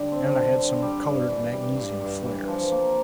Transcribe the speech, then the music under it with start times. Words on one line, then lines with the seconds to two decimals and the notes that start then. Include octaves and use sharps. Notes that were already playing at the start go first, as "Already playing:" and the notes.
And I had some colored magnesium flares.
Already playing: D3 G3
0.12 C4
0.35 D3
0.59 D3
0.82 G3
1.06 G2
1.29 E3
1.53 G3
1.77 G2
2.01 G2
2.25 E3
2.48 F3
2.72 A#3